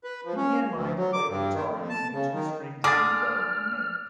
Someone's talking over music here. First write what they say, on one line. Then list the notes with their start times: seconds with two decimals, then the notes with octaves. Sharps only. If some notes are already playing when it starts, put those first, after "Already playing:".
He began learning to play the guitar using a two-string diddley bow he made.
0.04 B4
0.25 F3
0.37 C#4
0.73 D2
0.96 F#3
1.13 D6
1.28 G2
1.54 D#3
1.69 F2
1.89 A5
2.13 C#3
2.32 D#3
2.84 D3 G#4 D6 F6 A6